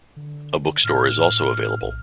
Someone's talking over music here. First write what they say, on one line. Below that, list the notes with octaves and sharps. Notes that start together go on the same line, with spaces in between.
A bookstore is also available.
D3
A2 F6
A#1